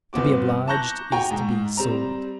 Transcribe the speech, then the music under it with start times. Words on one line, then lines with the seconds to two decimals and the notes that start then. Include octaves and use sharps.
To be obliged is to be sold.
0.13 G1 B3 C4 F#4 D6
0.68 A5 A#5 C#6 F#6 G6 A#6
1.12 F#4 G5 G#5 A#5 C#6
1.31 G#2
1.77 G3 C4 A#5